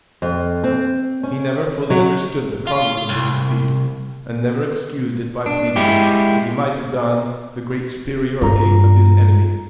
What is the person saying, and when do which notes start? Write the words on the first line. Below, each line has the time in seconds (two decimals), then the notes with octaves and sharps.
He never fully understood the causes of his defeat, and never excused it by pleading, as he might have done, the great superiority of his enemy.
0.22 F2
0.64 C4
1.23 C#4
1.90 F#3
2.67 F4
3.09 C2
5.46 D4
5.76 G#3 E4 G4
8.42 G2 F4 A#5